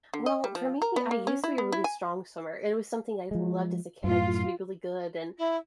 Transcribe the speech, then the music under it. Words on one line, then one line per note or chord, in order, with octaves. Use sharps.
Well, for me, I used to be a really strong swimmer, it was something I loved as a kid. I used to be really good, and,
D3
D#5
G3
F3
A#4
B3
A#3
C#4
E4
B3
E4
G#5
F3 G#3
F#2 A2 F4
E4